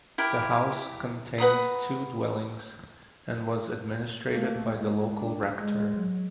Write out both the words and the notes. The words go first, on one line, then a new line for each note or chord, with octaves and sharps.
The house contained two dwellings and was administrated by the local rector.
E4 G4 A#4
B4 F#5 A#5 D#6
A3 A#3
G#3
D4
G#3
F#3 G#3